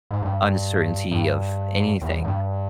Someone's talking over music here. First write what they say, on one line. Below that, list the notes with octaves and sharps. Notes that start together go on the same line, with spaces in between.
uncertainty of anything
G#2
G2
G2
E2
G2